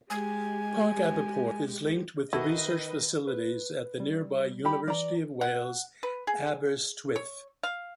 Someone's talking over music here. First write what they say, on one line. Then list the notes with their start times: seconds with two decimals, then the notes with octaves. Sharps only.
ParcAberporth is linked with the research facilities at the nearby University of Wales, Aberystwyth.
0.10 G#3 G4 G#5
2.33 D#3 E4 F#4 A4 B4 D#5
3.27 B4
4.00 G3
4.65 G4 B5
4.88 E3 D5 A#5
5.41 F#5
6.03 B4
6.27 G#4
7.16 C#5
7.63 F5